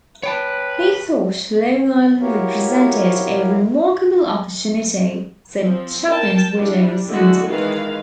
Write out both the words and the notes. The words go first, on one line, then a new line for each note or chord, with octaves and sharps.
"He thought Long Island represented a remarkable opportunity", said Chapin's widow, Sandy.
B4 C#5 G5 A5
E4 F#4 G4 A#4 C#5 F5
F3 C4
A#4 G5 A5
G3 D4 E4
D3 G#3 A3 E4 F#4
D#3 E3 G#3 B4 F5